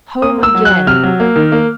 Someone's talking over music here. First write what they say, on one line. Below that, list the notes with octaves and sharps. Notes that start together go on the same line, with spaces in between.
Home again!
A#3 D#6
A#3 E6
F#3
F#6
F#3
C3 F6
F#3
A#3
D#3
A#3